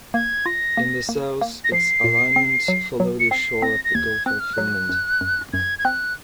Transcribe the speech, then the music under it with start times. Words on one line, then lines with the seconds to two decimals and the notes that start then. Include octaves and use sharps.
In the south its alignment follows the shore of the Gulf of Finland.
0.14 A#3 G#6
0.46 F4 A#6
0.77 A#3
1.09 A#3
1.41 A#3
1.64 A#6
1.72 F3 C7
2.04 A#2
2.36 C4
2.68 F#3
3.00 F#3
3.20 C#7
3.31 C4 C7
3.62 C4 A#6
3.84 A#6
3.95 D#2 G#6
4.26 C4 F#6
4.40 F6
4.53 F#3 F#6
4.89 F#2
5.21 F#2
5.53 F#2 G#6
5.79 G#6
5.85 C4 F#6